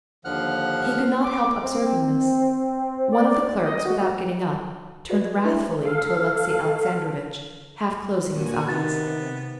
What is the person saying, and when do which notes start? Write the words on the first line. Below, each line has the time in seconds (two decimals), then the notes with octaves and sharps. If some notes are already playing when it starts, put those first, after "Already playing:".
He could not help observing this. One of the clerks, without getting up, turned wrathfully to Alexey Alexandrovitch, half closing his eyes.
0.25 D#2 D3 F3 F#5 F6 F#6
1.24 D6
1.63 C4
3.12 D5
3.65 D#5
3.86 F#4
5.10 F#4 G#4 B4 D5 D#5
5.25 G#6
5.45 D4 E4 B4 C5 E5 A#5
5.85 A4 F5
8.33 G2 A#2 F#4 G#5
8.69 C3 D#3 B3 A6